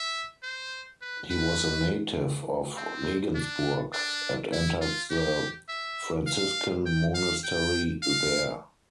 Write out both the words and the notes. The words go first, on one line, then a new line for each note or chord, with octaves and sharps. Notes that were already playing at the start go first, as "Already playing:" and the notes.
He was a native of Regensburg, and entered the Franciscan monastery there.
Already playing: E5
C5
B4
B4
C4
D4
D4
E4
F4
G4
E5
F5
G5
F5
G5
F5